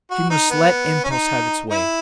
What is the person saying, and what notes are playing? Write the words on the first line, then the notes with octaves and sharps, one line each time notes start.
She must let impulse have its way.
F#4
D#4
B3
C#4
D#4
E4